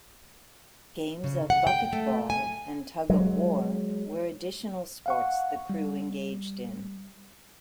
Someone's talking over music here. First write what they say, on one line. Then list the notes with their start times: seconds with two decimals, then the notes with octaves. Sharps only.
Games of 'Bucket ball' and tug-of-war were additional sports the crew engaged in.
1.24 C#3
1.50 F#5
1.67 G5
1.93 A3
2.30 G#5
3.10 F#3 G#3
5.06 F5 F#5 C#6
5.70 G3